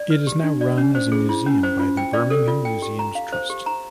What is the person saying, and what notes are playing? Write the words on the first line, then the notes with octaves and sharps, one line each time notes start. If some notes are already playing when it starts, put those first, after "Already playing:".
It is now run as a museum by the Birmingham Museums Trust.
Already playing: D5
B4
G4
D4
D5
C#4
C5
G#4
E4
C#4
C5
F4
G5
D5
A4
F4
G5
G4
A#5
F5
C5
G4
A#5